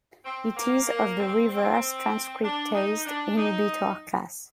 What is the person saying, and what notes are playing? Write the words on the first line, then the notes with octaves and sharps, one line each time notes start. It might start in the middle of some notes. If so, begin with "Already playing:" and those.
It is of the reverse transcriptase inhibitor class.
C4
A#3
A#3
C4
C4
D4
D#4
D4
D#4